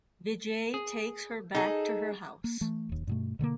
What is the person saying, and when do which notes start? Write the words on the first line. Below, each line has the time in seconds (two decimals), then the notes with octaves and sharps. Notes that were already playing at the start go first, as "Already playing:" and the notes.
Vijay takes her back to her house.
0.74 G#4
1.55 D#4 G#4 A4
2.44 A#3
2.61 E3 A3
2.89 D1 D#2
3.07 G2 B2 A3
3.39 B2 D3 F#3 A#3